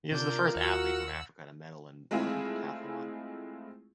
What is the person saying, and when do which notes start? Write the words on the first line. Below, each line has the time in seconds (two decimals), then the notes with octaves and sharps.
He is the first athlete from Africa to medal in modern pentathlon.
0.12 C3 D4 F4 A#4 G6
0.56 D#2 F#4 F#5 E6
2.11 G#3 A3 C4 E4 F4 G#4